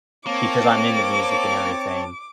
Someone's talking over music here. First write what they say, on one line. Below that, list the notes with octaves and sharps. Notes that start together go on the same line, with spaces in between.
because I'm into music and everything,
A#3 C4 C#5 A5 D6